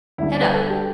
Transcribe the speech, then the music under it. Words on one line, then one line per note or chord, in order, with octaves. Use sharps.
Head up!
D2 D3 G3 E4
D5
B4
A4
G4